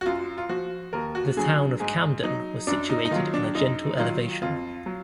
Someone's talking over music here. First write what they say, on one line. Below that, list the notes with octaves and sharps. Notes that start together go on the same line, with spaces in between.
The town of Camden was situated on a gentle elevation.
F#4
F#2 F4
F4
F3 F#4
D#2 A#4
F#4
D3 F#3 G#4
G#2 G#4
F#3 D#4
F#2 D4
D#4
D#4
D#3 F#3 F4
D4
F#2 D#4
D#3 F#3 F4
F2 F4
F#3